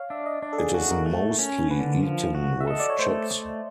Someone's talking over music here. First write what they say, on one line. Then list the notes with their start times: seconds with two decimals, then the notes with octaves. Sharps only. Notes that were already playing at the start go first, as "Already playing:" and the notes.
It is mostly eaten with chips.
Already playing: C#5 F5
0.10 D4 E5
0.26 D#5
0.42 D4 D5
0.53 A4
0.58 G#4
0.74 F#4 G#4
0.91 A#4
1.06 A3
1.39 C#4
1.70 D3 B4
2.03 F3
2.35 F#4
2.61 E5
2.67 A4 D#5
2.80 D5
2.90 C#5
2.99 A3 C5